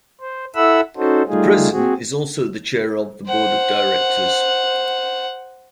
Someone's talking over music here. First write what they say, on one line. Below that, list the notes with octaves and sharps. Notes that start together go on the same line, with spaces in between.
The President is also the chair of the board of directors.
C5
E4 A4 E5 F#5 B5 E6
C#4 D#4 F#4 A4 C5
G3 A3 D#4 F4 G#4
C4 F#4 G#4
C5 F#5